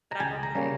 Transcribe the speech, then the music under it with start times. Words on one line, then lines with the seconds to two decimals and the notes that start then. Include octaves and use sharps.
but I'm okay."
0.12 A#5
0.20 C#2 G#5
0.43 A#5
0.55 C#3 G3 A#3 C#4